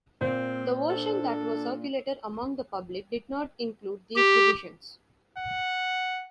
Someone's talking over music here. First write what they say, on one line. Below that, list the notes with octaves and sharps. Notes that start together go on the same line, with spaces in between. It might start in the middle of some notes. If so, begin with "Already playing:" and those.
The version that was circulated among the public did not include these revisions.
A#2 A#3 C4 C5
D4 A4
G4
F#5